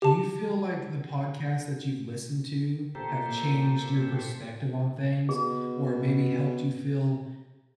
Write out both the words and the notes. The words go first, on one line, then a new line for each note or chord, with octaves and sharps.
Do you feel like the podcasts that you've listened to have changed your perspective on things, or maybe helped you feel
G4 A5
A#2 G4 A4 C5 A#5
B2 G#4